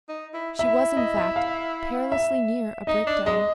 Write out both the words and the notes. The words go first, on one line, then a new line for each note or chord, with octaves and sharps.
She was, in fact, perilously near a breakdown.
D#4
E4
E4 E5
D#5
E5
F5
E5
D#4 D#5
D4
G#3 D#5